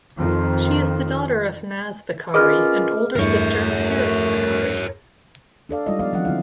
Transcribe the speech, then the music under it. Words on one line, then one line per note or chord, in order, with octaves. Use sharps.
She is the daughter of Naz Bokhari and older sister of Harris Bokhari.
F2 D#3 F3
A#3 C#4 F4 G#4 B4 D#5 D6 F6
E2 G2 A3 E4 A#4 C#5
D4 A4 D5 F5
G3 G#3 D#4 F4 D5 D#5
F3 B3 D5 F5
D#3 F3 F#3 C4 D4 F#5
D3 C4 E4 F5